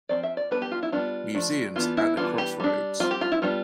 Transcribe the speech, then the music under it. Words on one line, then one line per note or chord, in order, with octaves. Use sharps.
Museums at the Crossroads?
F3 A3 C4 D5
E5
D5
G3 B3 D4 B4
G4
F4
E4
G3 B3 D4 F4
F3 A3 D4
E3 B3 D4 F4
E4
E3 G3 B3 D4 F4
G4
G3 D4
G3 C4 F4
G4
F4
E4
G3 B3 D4 F4